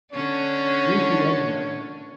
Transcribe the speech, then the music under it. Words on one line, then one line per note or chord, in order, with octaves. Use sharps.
Read the endnote.
D3 C#4 D4 C#5